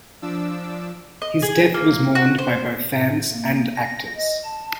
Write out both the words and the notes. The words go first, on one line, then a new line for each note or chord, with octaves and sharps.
His death was mourned by both fans and actors.
F3 D4 D6 E6
D#5
G#4
A#3
F#4
C5
A2
A#3
A#6
D#5
A5